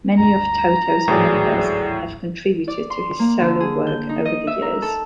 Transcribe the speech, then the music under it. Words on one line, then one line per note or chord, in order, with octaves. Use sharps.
Many of Toto's members have contributed to his solo work over the years.
D2 G2 A#5
G#1 D2 A2 E3 F#3 G#4 D5
D5
C6
A#3
D3
G#4
G6
D#4
D#5
E5
A#4
A4